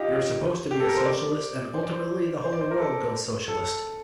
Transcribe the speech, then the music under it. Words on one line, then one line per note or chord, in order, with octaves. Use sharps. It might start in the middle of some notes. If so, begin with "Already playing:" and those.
You're supposed to be a socialist and ultimately the whole world goes socialist.
Already playing: D#4 F4 G4
G4
A4
A#4
C5
D5
C5
D5
C5
C5
D5
C5
A#4
A4
A4